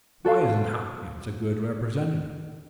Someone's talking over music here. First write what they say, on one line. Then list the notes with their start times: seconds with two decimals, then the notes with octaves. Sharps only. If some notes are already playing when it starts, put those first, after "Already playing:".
"Why isn't Hopkins a good Representative?"
0.25 F#4 A4 C5 F5